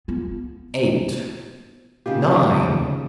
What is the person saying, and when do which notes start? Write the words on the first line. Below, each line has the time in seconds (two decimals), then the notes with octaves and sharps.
Eight, nine!
0.08 B3 F4
2.06 C#3 D#4 F4 G4